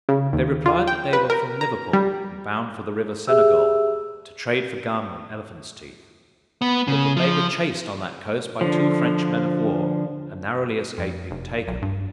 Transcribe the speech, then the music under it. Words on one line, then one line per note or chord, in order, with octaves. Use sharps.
They replied, that they were from Liverpool, and bound for the river Senegal, to trade for gum and elephants teeth; but that they were chased on that coast by two French men-of-war, and narrowly escaped being taken.
C#3
D#2
F4
G5
B4
A#4
A#5
G3
G4 G#4 E5 E6
B3
C#3
F3
D3 F3
F2
F1
D1 B1
G2